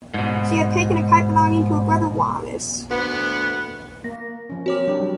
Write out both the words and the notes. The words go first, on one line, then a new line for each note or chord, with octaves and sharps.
She had taken a kite belonging to her brother Wallace.
G#2 B2
D2 B3
A#3 A#6
F3 C#4
C4 F#4 A#4 C#5 D6
F#3 D4 G4
G3